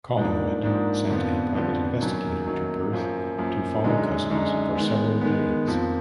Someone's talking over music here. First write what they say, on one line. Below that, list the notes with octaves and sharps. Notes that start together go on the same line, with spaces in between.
Collingwood sent a private investigator to Perth to follow Cousins for several days.
G#2 F3 A#3 D4
G#2 F3 A#3 D4
F2 D3 F3 B3 F4
F2 D3 F3 B3 F4
F#2 D#3 F#3 A#3
F#2 D#3 F#3 A#3
F#2 F3 A#3
F#2 F3 A#3
F#2 D3 G#3 D#4
F#2 D3 G#3 D#4
D#3 G#3 B3
D#3 G#3 B3
F2 F3 A#3